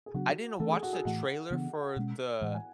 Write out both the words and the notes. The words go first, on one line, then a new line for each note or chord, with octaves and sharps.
I didn't watch the trailer for the
G#4
C#3 F#3 B3 D4 F#4
E3 A3 C#4 A4
G#4
F#4
G#4
A2 E3 A3 F#5
C#3 E3 B3 D4
B2 G#3 C#4
A2 E3 G#3 F#5
G#5